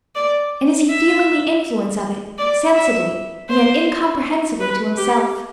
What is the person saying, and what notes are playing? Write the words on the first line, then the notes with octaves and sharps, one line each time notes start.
And is he feeling the influence of it, sensibly, and yet incomprehensibly to himself?
D5
E5
D5
E5
C5
B4
G4